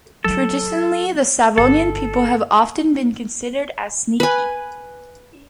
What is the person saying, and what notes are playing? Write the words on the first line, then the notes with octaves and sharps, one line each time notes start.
Traditionally, the Savonian people have often been considered as "sneaky".
F#3 D#4 A4
G1 A4
B4 G#5